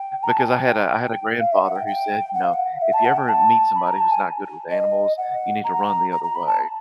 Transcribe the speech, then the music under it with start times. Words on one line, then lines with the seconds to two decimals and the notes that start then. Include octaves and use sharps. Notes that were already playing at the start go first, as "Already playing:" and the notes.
Because I had a I had a grandfather who said, you know, "If you ever meet somebody who's not good with animals, you need to run the other way."
Already playing: G5
0.23 A#5
0.30 A5
0.38 G#5
0.45 G5
1.40 F5
1.51 E5
1.63 F#5
1.75 G5
1.87 G5
2.34 F#5
2.43 F5
2.53 F#5
2.81 E5
2.93 A5
3.05 F#5
3.16 G5
3.28 A5
3.75 B5
3.87 A#5
4.00 A5
4.11 G#5
4.70 D#5
5.17 F#5
5.64 A#5
6.12 A#5
6.23 A#5
6.35 B5
6.46 A5